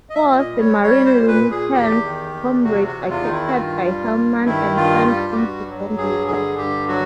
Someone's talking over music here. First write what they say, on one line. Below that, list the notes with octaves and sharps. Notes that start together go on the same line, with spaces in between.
Four of the marine lieutenant's comrades are captured by Hellman and turned into zombies.
D#5
E5
A#2
D#5
G3
C#5
G3 C#5
C5
A#2
B4
A#2
G#4
E2 G4
D#3
E2
C3 F#4
F#4
E2
F4
D#3 D#4
E4
F#4
G2 F4
G3
G2
D#3 E4
G2 F4
G3 F4
G4
G2 F#4
F#3
G2 G#4
D3 G#4
G2 G4
F#3 F#4